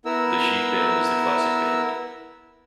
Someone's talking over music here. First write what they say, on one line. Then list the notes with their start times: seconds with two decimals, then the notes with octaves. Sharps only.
The sheet bend is the classic bend.
0.05 B3 E4 A#4 E6